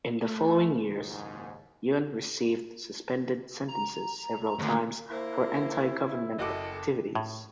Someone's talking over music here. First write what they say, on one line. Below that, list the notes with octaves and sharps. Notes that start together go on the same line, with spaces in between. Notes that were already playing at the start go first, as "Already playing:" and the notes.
In the following years, Yun received suspended sentences several times for anti-government activities.
A3
F#1 D#2 G#2
A#5
D2 G2
A#3 E4 C5
F#1 F#4 A4 D#5 D6
A2